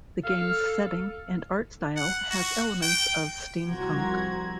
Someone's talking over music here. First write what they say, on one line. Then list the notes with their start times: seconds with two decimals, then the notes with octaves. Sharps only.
The game's setting and art style has elements of steampunk.
0.24 A4 F5
1.96 F#5
2.30 F#4
2.82 G5
3.69 C2 F3 C4 F#4 A#5 G#6